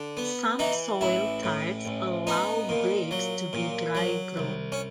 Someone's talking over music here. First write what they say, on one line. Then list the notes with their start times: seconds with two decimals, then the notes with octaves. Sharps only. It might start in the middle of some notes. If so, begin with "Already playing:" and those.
Some soil types allow grapes to be dry-grown.
Already playing: D3
0.17 B3
0.59 E3 D#4
1.01 A1 E4
1.43 A2
1.85 A1
2.27 B3 D#4
2.69 A#2
3.11 F#3
3.53 A#2
3.95 F#3
4.37 C2
4.72 C#4